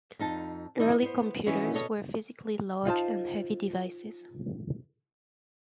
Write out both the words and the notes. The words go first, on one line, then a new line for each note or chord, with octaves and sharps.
Early computers were physically large and heavy devices.
F2 D#4 A5
D#4 E4 D#5
B3 C5
E3 B3 C#4 D#4 F#4
B2 B3 A4 C#5 D#5
D#4 F4 C5 A5